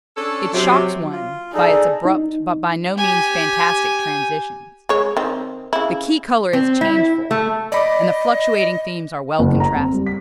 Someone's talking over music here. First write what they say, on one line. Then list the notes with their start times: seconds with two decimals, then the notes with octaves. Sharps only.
It shocks one by its abrupt but by no means fantastic transitions. The key color is changeful, and the fluctuating themes are well contrasted.
0.16 C#4 D4 A4
0.53 C3 F#3
1.12 F4
1.54 D#4 G#4 A4 D5
2.05 D#4
2.97 G4 G#5
4.89 G#3 C#5
5.17 D#3 C4
5.73 C#3 E4
6.53 C4
6.81 E4
7.31 A3
7.72 D5 D#5 B5 D6
9.39 F#1
9.60 A#5
9.76 C4
9.94 G3
10.06 B6